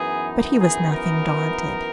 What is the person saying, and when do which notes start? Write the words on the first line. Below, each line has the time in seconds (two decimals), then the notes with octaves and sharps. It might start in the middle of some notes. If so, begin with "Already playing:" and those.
'But he was nothing daunted.
Already playing: F#2 E3 B3 D#4 G#4
0.59 G#4
0.92 A#4